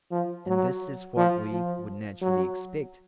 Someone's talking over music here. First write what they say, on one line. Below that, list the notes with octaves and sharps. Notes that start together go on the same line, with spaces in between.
And this is what we would naturally expect.
F3
F#3
F3
F3
F#3